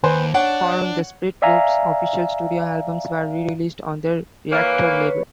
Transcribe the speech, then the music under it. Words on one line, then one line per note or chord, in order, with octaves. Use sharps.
Following the split Loop's official studio albums were re-released on their Reactor label.
D#2 B4 C5 G#5
D4 C#5 F#5
D5 E5 F5 G#5 A#5
E3 A#3 B4 C#5